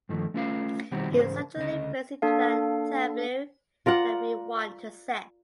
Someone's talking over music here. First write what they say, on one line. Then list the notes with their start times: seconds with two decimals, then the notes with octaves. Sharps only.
He certainly fits into that tableau that we want to set.
0.09 G2 D#3 F3 A3
0.34 A3 C#4 F4 B4 F5
0.91 B2 D#3 G3 C4 F#4 G4
1.10 E2 G#2 C#3 G4 A#4 C5
1.56 D2 C#3 D#5
2.22 A#3 D4 A4 F5
3.86 F4 A#4 D5 F#5